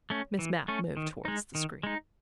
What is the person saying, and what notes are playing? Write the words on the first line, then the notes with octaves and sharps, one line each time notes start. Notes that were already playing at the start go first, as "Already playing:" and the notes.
Miss Mapp moved towards the screen.
A3 C#4
E3
A3 C#4
D#3
G#3 D#4
D#3
G#3 D#4